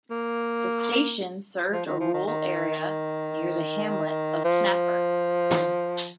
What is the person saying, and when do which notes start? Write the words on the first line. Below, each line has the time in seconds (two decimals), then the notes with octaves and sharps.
The station served a rural area near the hamlet of Snapper.
0.10 A#3
1.72 F3
1.86 D#3
2.00 F3
2.14 D#3
2.27 D#3
4.44 F3